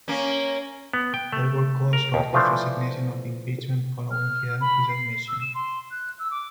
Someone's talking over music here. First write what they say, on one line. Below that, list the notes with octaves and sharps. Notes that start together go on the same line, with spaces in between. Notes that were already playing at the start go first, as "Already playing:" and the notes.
There were calls for his resignation or impeachment following his admission.
A#3 C#4
B3
G5
A3
A#4
D#2
E3 F3 A3 D4 C5
F6
B5
C7
E6
E7
C6
F#6
E6
D6